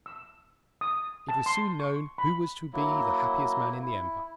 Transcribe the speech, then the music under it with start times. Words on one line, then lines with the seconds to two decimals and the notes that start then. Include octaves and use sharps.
It was soon known who was to be the happiest man in the empire.
0.06 E6
0.81 D#6
1.29 A5
1.46 C6
1.80 C#6
2.18 B5
2.73 F#3 A#3 E4
3.82 E4